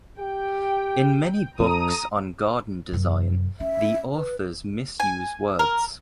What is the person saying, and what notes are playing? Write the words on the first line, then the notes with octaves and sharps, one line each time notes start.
In many books on garden design the authors misuse words.
G4 G5
F2 A4 A#5 D#6
F#2 C3
C#4 E5
B4
G#5
A#4